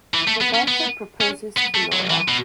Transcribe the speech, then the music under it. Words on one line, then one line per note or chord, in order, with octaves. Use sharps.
Roberto proposes to Laura.
E3
A3
B3
C#4
B3
C#4
B3
A3
F#3
E3
B2